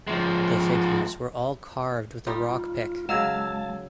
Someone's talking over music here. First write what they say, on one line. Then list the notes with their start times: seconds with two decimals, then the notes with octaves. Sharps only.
The figures were all carved with a rock pick.
0.07 F3 G#3
2.27 G3 D#4 F4 G4
3.09 C#3 F#3 G#3 F5 A5 E6 G#6